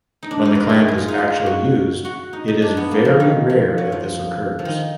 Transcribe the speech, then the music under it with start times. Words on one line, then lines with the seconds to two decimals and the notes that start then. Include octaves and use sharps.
When the clamp is actually used, it is very rare that this occurs.
0.23 D#4
0.31 D4
0.45 D#4
0.55 A#4 B4
0.69 G#4 A#4
0.88 G#4
0.98 F4
1.08 D#4
1.18 F4
1.46 F#4
2.05 F#4
2.33 D#4
2.48 D#4
2.62 D4
2.77 B3
2.91 A#3
3.05 F3
3.20 D#3
3.50 F3
3.78 F#3
3.92 F3
4.59 F3
4.65 D#3